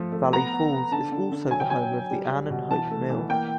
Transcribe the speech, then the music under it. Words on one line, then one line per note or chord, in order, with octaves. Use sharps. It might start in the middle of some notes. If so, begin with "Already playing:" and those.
Valley Falls is also the home of the Ann and Hope Mill.
Already playing: F3 A3
A3
B3 A#5
B3
B3
D3 A5
D3
D3
F#3 G#5
G5
F#3 G#5
F#3
G3
G3
B2
E3 A5
A3
E3
A#3 G5